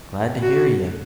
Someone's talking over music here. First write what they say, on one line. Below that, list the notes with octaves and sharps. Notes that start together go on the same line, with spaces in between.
Glad to hear you!
F#4